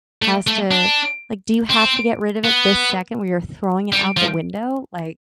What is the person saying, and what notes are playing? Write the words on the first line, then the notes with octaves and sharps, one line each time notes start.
has to like, "Do you have to get rid of it this second where you're throwing it out the window?" Like,
A3
A3
D4
C4
B3
G3
F3